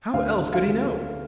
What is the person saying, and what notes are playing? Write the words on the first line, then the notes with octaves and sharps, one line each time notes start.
How else could he know?
D2 F5
D3
F5
D3